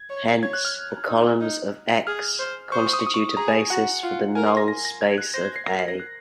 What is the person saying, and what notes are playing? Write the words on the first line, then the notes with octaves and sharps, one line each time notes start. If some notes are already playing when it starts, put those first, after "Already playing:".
Hence, the columns of X constitute a basis for the null space of A.
Already playing: G#6
C#5
C#5 G#6
F#6
F6
D#4
D#4
G#4 F6
C5
C5 C#6
D#6
C#6
D#6
C#6
D#6
C#6
G#4 A#5
G#5
F#4 F#5
F4
A#4 G#5
C6
A#6
A#6
A#6
G#6
F#6
C5 A#6
G#6
C7
A#4 A#6
C7
A#6
F#6